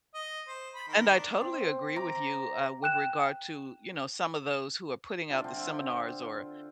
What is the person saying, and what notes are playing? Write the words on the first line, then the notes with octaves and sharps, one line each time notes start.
and I totally agree with you, uh, with regard to, you know, some of those who are putting out the seminars or,
D#5
C5
B5
D#3
D4
C4
A#5 D6
G5 F#6 E7
D4 F4 E5 F#5
D3 C4 A4 C6